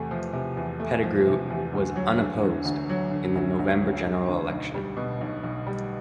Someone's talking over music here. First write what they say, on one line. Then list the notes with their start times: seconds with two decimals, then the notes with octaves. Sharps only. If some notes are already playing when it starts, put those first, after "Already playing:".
Pettigrew was unopposed in the November general election.
Already playing: E2 C3 A3
0.11 F3
0.33 C3
0.57 E2
0.80 A3
1.03 F3
1.27 C3
1.50 E2
1.74 D2
1.96 F#3
2.20 D3
2.43 D2
2.65 D2
2.89 F#3
3.11 D3
3.35 D2
3.59 D2
3.82 F#3
4.05 D3
4.28 D2
4.50 B1
4.75 G3
4.97 B2
5.21 B1
5.43 B1
5.67 G3